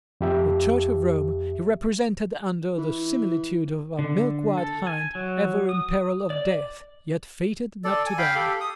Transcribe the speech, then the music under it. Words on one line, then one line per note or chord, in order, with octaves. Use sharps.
The Church of Rome he represented under the similitude of a milkwhite hind, ever in peril of death, yet fated not to die.
F2 G4 E5
E3
D3
A4
G#5
F#3
D#6
D5
A4 D5
G#5
F5 G5 B5
G4 A4
D#6